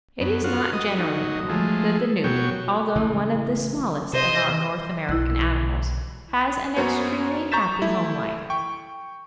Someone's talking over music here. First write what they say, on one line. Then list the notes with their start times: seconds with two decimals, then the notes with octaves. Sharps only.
It is not generally known that the newt, although one of the smallest of our North American animals, has an extremely happy home-life.
0.21 F#2 B3
0.44 F4 F#4
0.73 D#5
0.98 F#3 D#4
1.49 F3 G#3 A3
2.24 B2 F#3 C#5 G5
2.96 A1 C#3 E3
4.13 C3 C5 D#5
5.09 B1 E4 F#6
6.76 F#2 A#3 B3 F#4 C5 C#5
7.52 A#5 C#6 G6 A6 B6 E7
7.82 A3 E4
8.50 G5 C#6